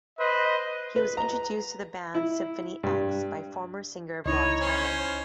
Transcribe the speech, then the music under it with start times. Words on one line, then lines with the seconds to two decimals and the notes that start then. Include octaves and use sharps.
He was introduced to the band Symphony X by former singer Rod Tyler.
0.19 B4 C5 D#5
0.96 B4
1.17 A#5
2.14 E4
2.83 G2
4.26 C#2 D#4 E4 C#5 D#5
4.61 C#4 C5